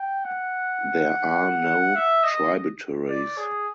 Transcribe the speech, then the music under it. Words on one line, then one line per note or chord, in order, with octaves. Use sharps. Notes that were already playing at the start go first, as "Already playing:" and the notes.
There are no tributaries.
Already playing: G5
F#5
E5
D#5
D5
G#4